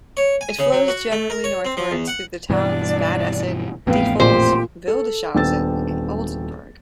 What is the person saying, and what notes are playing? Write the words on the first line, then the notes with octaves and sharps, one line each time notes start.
It flows generally northwards through the towns Bad Essen, Diepholz, Wildeshausen and Oldenburg.
C#5
G#5
C#3
F#3
F#4
A3
A#4
C#5
C4
F3
E2
F#5
G2 B2 E3 D4 D5
A1 F2 A2 B3 B4 F5 G5
A#2 G4 C5
A4
D#1 B3 D4 G5 E6 A6